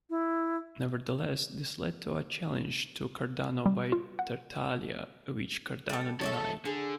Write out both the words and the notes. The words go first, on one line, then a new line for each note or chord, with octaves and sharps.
Nevertheless, this led to a challenge to Cardano by Tartaglia, which Cardano denied.
E4
G3
F4
F#5
G3 A4
G#3 A4 C#5 D5 E5
D3 G#4